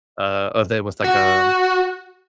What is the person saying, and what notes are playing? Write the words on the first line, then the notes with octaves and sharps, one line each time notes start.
uh, of it was like a
F#4